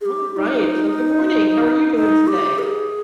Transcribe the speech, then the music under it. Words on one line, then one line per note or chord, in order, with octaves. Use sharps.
Alright, so good morning, how are you doing today?
G#4
G4
G4
D#4
D#4
G4
B4
G#4